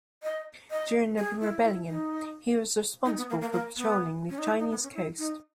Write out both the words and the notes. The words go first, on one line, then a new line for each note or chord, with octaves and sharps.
During the rebellion, he was responsible for patrolling the Chinese coast.
D#5
D#5
G#4
E4
E4
D#4
D#4
B3
A#3
A#3
A#3
B3
C#4
D#4
E4
D#4
B3
C#4
E4
D#4